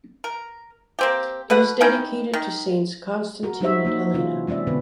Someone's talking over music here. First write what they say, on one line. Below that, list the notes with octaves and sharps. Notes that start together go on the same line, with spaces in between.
It is dedicated to Saints Constantine and Helena.
A#4
A#3 C4 G4
B2 B4 F#5
C#4 D#4 E4 G5
D#3
F#4 A#4
F#3 D#4 F#4 C5 C#5 E5
A#3 D#4 F#4
C3 E3 C#4 E4 F4
G#3 C4 C#4 D5 E5
B2 D3 B3 B4